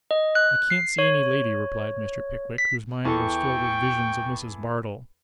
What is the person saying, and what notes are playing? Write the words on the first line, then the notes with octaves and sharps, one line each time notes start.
'I can't see any lady,' replied Mr. Pickwick, whose mind was filled with visions of Mrs. Bardell.
D#5
F#6
C7
C#5
B6
E2 E3 A4 G5 C#6